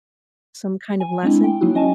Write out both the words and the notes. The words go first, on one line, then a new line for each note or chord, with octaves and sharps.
some kind of lesson?
G#5
G#3 C4 D4 E4
G5
F#3 A#3 D#4 E4 F#4
C#4 D#5 G#5 A5